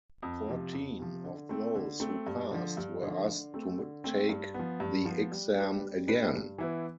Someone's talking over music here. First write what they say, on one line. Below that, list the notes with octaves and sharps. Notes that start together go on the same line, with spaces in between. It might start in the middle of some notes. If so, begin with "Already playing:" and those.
Fourteen of those who passed were asked to take the exam again.
F2
C3 F3
F2
C3 F3
D3
A3 C4
D3
A3 C4
G2
D3 F3
G2
D3
F3
D3
A3 C4
D3
A3 C4
G2
F3 B3
G2
F3 B3
G3
D4 G4 B4
G3
D4 G4 B4
G2
E3 B3 E4 B4